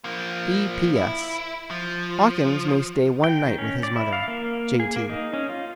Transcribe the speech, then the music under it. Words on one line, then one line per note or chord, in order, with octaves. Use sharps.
P.P.S.--Hawkins may stay one night with his mother. J. T.
F3 A#3
E4
F3
G5
D#3
C#4
D5
E4
F5
A#3
G#4
A#3
D#4
C#4
F4